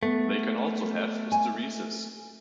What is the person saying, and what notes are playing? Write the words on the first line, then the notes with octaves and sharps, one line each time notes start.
They can also have hysteresis.
A3 B3
G#5